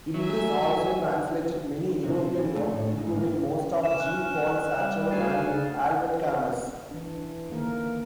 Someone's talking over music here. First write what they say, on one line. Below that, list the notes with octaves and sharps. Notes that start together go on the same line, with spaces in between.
Idriss also translated many European works, including most of Jean-Paul Sartre and Albert Camus.
F#3 E5 G#5
C3
C5
E3
A3
A2
G#2
A#3
C#4 E7
F6 F#6
G3
D2 F5 G#5 A6
C#3
E3 D4
D3 D#3 A#3 A#4